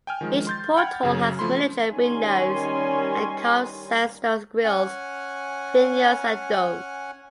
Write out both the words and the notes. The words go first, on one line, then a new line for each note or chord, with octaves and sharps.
Each porthole has miniature windows and carved sandstone grills, finials and domes.
G5 G#5 F6
D#3 F3 G#3
C6 G6 A6
F#5 G5 B5 F6 G#6
F#2 C#3 F#3
F3 A3 B5 C6
D#3 G3 C#4 G#5 C6
C#4 F#5 G#5